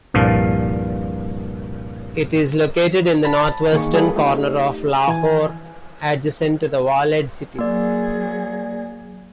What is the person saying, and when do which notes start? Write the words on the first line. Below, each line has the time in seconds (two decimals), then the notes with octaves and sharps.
It is located in the northwestern corner of Lahore, adjacent to the Walled City.
0.14 C2 G2 A#2 F3
3.25 A5 B5
3.73 D#3 A#3 G#4 C#6
3.93 G3 F4 G#4 A4 B4
4.16 A3 D#4 G4
5.08 E3 G#5
7.59 F#3 A#3 G#4 D5